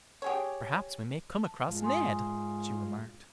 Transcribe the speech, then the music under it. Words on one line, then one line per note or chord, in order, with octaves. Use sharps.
"Perhaps we may come across Ned," she remarked.
G4 G#4 C#5
A5
G#2 F4
G#5 C6 D#6